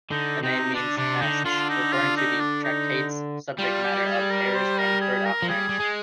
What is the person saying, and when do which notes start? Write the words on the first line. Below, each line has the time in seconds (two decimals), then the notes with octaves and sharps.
The name means "nests", referring to the tractate's subject matter of errors in bird-offerings.
0.11 D3 D#4
0.42 C3 D#4
0.74 D3 D4
0.98 C3 D4
1.21 D3 D#4
1.45 D3 F4
1.70 D#4
1.93 F4
2.17 D#4
2.40 D4
2.64 D#4
3.59 G3 F4
3.83 G4
4.07 G#4
4.30 A#4
4.54 C5
4.78 A#4
5.01 G#4
5.25 A#4
5.42 F3
5.49 G3 G#4
5.69 G3
5.80 G#3